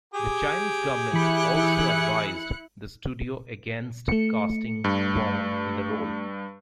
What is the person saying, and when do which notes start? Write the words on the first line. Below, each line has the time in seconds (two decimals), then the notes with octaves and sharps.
The Chinese government also advised the studio against casting Wong in the role.
0.14 G4 G#4 G5
1.13 E3 E4 B5 F#6 C#7
4.09 A3 C#7
4.84 G2